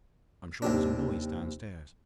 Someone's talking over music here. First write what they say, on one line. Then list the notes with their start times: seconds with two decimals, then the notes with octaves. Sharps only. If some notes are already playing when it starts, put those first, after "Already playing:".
I'm sure there's a noise downstairs.
0.62 D#2 C3 D4